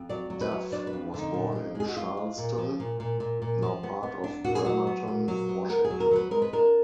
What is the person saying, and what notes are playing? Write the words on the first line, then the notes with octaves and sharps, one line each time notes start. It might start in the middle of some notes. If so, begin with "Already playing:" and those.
Duff was born in Charleston, now part of Bremerton, Washington.
Already playing: F2
F#3 D5
F#3
B4
F#3
D4 D5
B4
F2
D3 D#4
A#2
F3
G#3
G#4
F#4
G#3 F4
G#3
A#2
F3
A#2
A#2
A#2
A#2
F3
B3
B3
D4
A#2 F#4
G#4
F#3 F#4
B3
A#2
F#3
B3
B3 A#4
G#4
F#3
A#4
F#3 B4
G#3 A#4
B4
D4 A#4